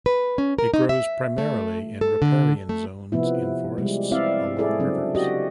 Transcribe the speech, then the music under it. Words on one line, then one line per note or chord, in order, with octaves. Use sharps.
It grows primarily in riparian zones in forests along rivers.
B4
C#4
A#4
D#4
E5
A3
A4
D3
A3
C3 F3 B3 E4
G3 G#3
C4 E4 D5 E5 F5
E4 G#4 A4 D5
C#3 F#3 C4 D4
F#4 G4 D5 D#5